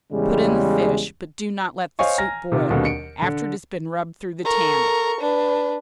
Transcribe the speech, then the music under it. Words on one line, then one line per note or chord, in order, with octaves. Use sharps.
Put in the fish, but do not let the soup boil, after it has been rubbed through the tammy.
E2 C#3 G3 G#3
C5 C#5 D#5 F5 G#5 C#6
G#5 A#5 F6 A#6
C3 D#3 F4
D#2 B2 D3 G3 C4
C#7 D7
D3
A4 A#4 C#6
D4 B4